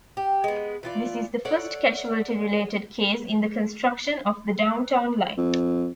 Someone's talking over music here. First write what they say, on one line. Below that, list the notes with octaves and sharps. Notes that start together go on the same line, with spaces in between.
This is the first casualty related case in the construction of the Downtown Line.
G4
G#3 B3
E3 F4 D5
A4 C#5 D5 F#5
F2